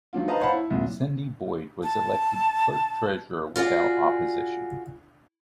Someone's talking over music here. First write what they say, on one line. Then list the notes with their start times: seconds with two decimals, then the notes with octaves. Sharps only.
Cindee Boyd was elected clerk-treasurer without opposition.
0.13 D#3 F#3 D4 F4
0.28 B4 C5 D#5 F5 A5 A#5
0.40 C5 C#5 F5 F#5 A5 B5
0.52 E4
0.70 C2 F#2 A#2
1.82 A5
3.56 F4 F#4 G#4 D5